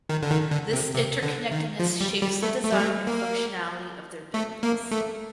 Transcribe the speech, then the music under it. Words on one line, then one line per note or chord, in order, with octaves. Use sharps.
This interconnectedness shapes the design and functionality of their buildings.
D#3
D3
D#3
D3
C3
C3
D3
D#3
F3
G3
G3
A3
A3
G3
A3
A#3
A3
A#3
A3